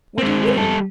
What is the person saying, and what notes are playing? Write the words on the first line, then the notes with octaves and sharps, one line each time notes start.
"What do you mean?"
G#3 C4
G3 A4